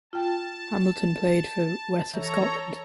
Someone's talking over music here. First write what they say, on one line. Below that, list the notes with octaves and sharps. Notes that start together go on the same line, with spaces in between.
Hamilton played for West of Scotland.
F4 G5 A5
E3 A4 C#5 A#5